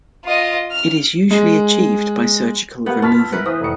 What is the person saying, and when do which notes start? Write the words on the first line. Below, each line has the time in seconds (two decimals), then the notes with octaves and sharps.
It is usually achieved by surgical removal.
0.25 F4 D#5
0.71 F6
1.31 G#3
2.86 B3 G4 A#4 F#5
3.02 F4 A5 F6 B6
3.19 E6
3.32 E4 A#4 B4
3.46 E3 C5 D#6
3.61 F1 C#7